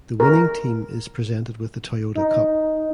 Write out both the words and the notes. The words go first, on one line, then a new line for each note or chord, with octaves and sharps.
The winning team is presented with the Toyota Cup.
A#4
D#4